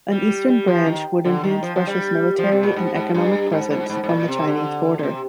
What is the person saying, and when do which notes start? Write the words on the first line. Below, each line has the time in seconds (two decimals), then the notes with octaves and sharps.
An eastern branch would enhance Russia's military and economic presence on the Chinese border.
0.11 G3
0.48 G3
0.67 F3
0.86 D#3
1.25 D3
1.43 D#3
1.63 F3
1.76 F3
1.87 G3
2.38 F3
2.52 C3
2.63 A#2
2.76 G#2
2.95 G#2
3.14 G2
3.52 G#2
3.71 G#2
3.90 G#2
4.04 G#2
4.09 A#2
4.28 C3
4.47 D3
4.99 A#2
5.03 C3